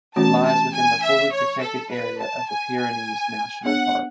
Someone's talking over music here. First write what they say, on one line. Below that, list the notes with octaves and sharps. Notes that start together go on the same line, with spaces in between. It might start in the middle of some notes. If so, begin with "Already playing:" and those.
It lies within the fully protected area of the Pyrenees National Park.
E3 A3 C#4 F#4 A5
A5
G#5
E5
C#5
A4
B4
A5
G#5
G#5
B3 D4 G#4 C#5 F#5